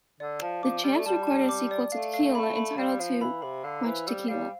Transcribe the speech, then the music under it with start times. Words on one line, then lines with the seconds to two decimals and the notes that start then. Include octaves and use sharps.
The Champs recorded a sequel to "Tequila" entitled "Too Much Tequila".
0.20 D3 D5
0.42 F3 A5
0.63 F3 D6
0.84 G3 D5
0.96 A3
1.06 G3 A5
1.27 A5
1.49 D6
1.71 D5
1.92 A3 F5
2.14 F5
2.35 A3 B5
2.56 B5
2.78 G3 F5
2.99 F3 F5
3.21 E3 B5
3.42 C3 B5
3.64 D3 F5
3.85 E3 C5
4.07 G3 E6
4.28 G3 F5